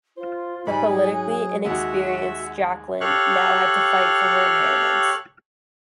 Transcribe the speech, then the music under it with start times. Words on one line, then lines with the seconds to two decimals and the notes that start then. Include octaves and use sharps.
The politically inexperienced Jacqueline now had to fight for her inheritance.
0.17 F4 C5
0.67 G#2 G3 G#5 B5
0.90 F#3 G#4
1.65 D#2 G#3 F#4 E5 F#5
3.01 G4 A4 C#5 F5 C#6 F#6